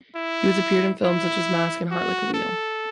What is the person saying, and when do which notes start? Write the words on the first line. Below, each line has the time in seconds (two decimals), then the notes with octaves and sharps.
He has appeared in films such as "Mask" and "Heart Like a Wheel".
0.15 E4
1.03 E4
1.91 F#4
2.34 A4